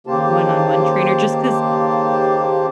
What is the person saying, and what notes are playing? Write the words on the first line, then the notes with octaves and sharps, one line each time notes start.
one-on-one trainer, just 'cause
D#2 C#3 A#3 G4 C5 A5